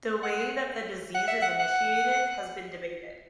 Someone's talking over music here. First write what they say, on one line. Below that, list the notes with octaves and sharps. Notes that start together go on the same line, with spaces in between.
The way that the disease is initiated has been debated.
F#5
F#5
E5
F#5
F#5